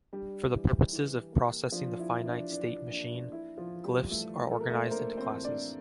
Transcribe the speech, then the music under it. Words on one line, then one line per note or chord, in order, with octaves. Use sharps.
For the purposes of processing the finite state machine, glyphs are organized into classes.
G3 D4 G4
E3
E3
A#3
F3 D4 F4
E4
E3
E4
D4
E3 D4
A#3 D4
D4 E4
F3 F4
E3
G3 G4
E3 A3 A4
A#3 A4
A#4
A3 A4
C5
A#3 D4 A#4
C4 C5
E3
D4 D5